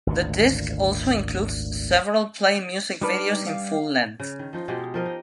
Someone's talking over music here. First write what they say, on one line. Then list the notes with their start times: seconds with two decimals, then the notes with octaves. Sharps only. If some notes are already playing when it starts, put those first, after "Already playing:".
The disc also includes several Play music videos in full length.
0.07 G#1 D2 A#2
3.01 G3 D4 D#4 A4 B4 D6 F6
3.46 F5
4.20 C#3
4.39 D#3
4.53 F3 D#4 F4
4.68 B2 G#3 D#4 G4
4.94 F3 A#4 D#5
5.05 D#4